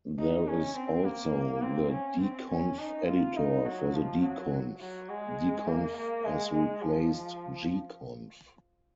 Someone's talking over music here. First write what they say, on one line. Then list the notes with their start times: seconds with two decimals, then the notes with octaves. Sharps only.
There is also the dconf-editor for the dconf; dconf has replaced Gconf.
0.19 D#4
0.48 C#4
0.76 C4
1.06 A#3
1.63 C4
1.91 C#4
2.20 C4
2.50 C#4
2.79 D#4
3.07 F4
3.36 D#4
3.65 F#3
3.95 F3
4.23 F#3
4.81 F#3
5.09 G#3
5.67 A#3
5.96 A#3
6.25 G#3
6.53 G#3
6.82 F3